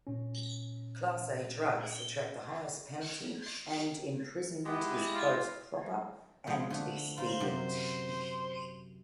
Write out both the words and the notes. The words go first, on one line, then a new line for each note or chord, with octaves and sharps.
Class A drugs attract the highest penalty, and imprisonment is both "proper and expedient".
A#2 C#4
G#3 B3 E4 G4
F4
B2 F3 G#3
D3 A3 D4
F4 A#4 C5
F#2 C3 D5